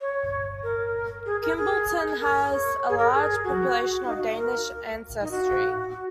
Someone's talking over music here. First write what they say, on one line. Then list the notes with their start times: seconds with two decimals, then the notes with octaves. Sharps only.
Kimballton has a large population of Danish ancestry.
0.01 C#5
0.63 A#4
1.26 G#4
1.42 A#4
1.57 G#4
2.07 G#4
2.19 A#4
2.50 C#5
2.89 G#4
2.98 A#4
3.13 G#4
3.44 F#4
4.03 F#4
4.06 D#4
4.17 F#4
4.38 A#4
5.21 D#4
5.31 F#4
5.93 F#4